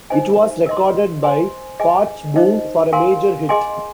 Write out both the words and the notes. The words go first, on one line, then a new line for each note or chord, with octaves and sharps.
It was recorded by Pat Boone for a major hit.
D#4 C5 D#5 G#5
A#4 D#5 C6
C5 G#5 C6
G#4 D#5 G#5
D#4 C5 D#5
A#4 F5 G#5 C6
G#4 D#5 G#5 C6